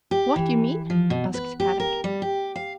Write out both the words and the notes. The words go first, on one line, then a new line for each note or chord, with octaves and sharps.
"What you mean?" asked Kadok.
G4
E3
F3
B2
B4
G4
A#4
G3
G4
F5